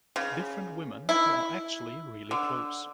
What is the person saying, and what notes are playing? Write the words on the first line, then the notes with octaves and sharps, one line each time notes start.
Different women who are actually really close...
C#3
E4
D3